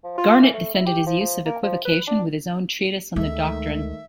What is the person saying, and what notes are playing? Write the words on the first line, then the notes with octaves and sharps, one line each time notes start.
Garnet defended his use of equivocation with his own treatise on the doctrine.
F3
F4
E3
A3
E4
G4
F3
F3
A#3
F3
B4
D4
D2 D#3 G#3 A3 E5